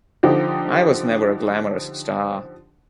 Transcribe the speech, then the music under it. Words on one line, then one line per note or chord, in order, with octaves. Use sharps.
I was never a glamorous sta.
D3 F3 D#4 G4